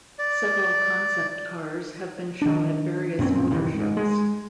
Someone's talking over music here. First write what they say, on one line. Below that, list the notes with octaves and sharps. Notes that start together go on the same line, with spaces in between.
Several concept cars have been shown at various motor shows.
D5
D#3 D4
F#2 A#2 C4 C#4
F#1 D#2 D#3 E3
G#2
G#3